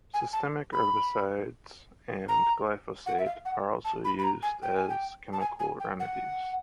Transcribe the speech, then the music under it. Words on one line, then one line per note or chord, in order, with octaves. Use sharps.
Systemic herbicides and glyphosate are also used as chemical remedies.
G#5
A5
B5
A#5
F#5
E5
F5
F#5
A5
B5
B5
A#5
G#5
G5
G#5
G5
A5
G#5
G#5
G5
F#5